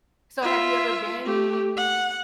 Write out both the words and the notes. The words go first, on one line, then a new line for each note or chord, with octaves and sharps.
So have you ever been
F4 E5
A3 G4
F#5